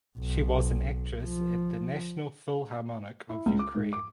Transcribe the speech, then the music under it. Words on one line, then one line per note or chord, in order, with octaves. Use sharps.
She was an actress at the National Philharmonic of Ukraine.
B1
F3
E4
C#2
D6
G#2
D6